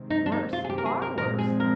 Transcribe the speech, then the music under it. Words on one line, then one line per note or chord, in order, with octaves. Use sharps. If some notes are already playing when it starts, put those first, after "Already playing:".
Worse; far worse!
Already playing: C3 D#3 G#3 C4
D#4
D4
D#4
F4
G#4
G4
A#4
G#4
A#4
A#2 F3 G#3 C4 A#4
G#4
A#4